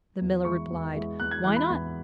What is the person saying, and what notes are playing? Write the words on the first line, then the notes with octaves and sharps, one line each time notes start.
The miller replied, 'Why not?
E2
E3 G#3 E4 C#6
E2
E3 G#3 E4
E2 F#6
G#6
E3 G#3 E4 F#6
B5
E2